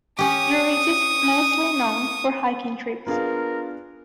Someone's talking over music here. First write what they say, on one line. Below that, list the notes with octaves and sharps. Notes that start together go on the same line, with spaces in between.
The ridge is mostly known for hiking trips.
C#4 G4 C#6 D#6
B3 D4 F4 G#4 A#4 F5